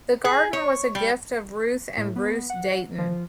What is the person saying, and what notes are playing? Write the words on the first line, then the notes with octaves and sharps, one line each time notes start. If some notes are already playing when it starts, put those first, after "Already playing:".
The garden was a gift of Ruth and Bruce Dayton.
G#4
C#5
G3
A2
B3
F#5
F3